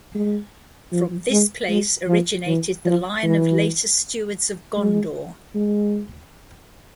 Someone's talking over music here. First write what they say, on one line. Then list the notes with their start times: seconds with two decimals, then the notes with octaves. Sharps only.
From this place originated the line of later Stewards of Gondor.
0.15 G#3
0.92 F3
1.31 G#3
1.69 G#3
2.08 F3
2.47 E3
2.85 F3
3.23 E3
4.78 G#3
5.55 G#3